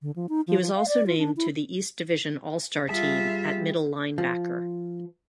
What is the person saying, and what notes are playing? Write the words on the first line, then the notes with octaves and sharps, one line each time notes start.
He was also named to the East Division All-Star team at middle linebacker.
D3
F3
D#4
F3
F3
F5
D5
F4
D4
E4
G3 F4 G#4 E5 A5
F3